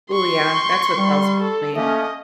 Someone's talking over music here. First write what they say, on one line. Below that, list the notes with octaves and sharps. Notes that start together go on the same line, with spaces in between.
Ooh yeah, that's what tells me.
C6 C#6
G3
A4
A3 A#3 C#4 D#5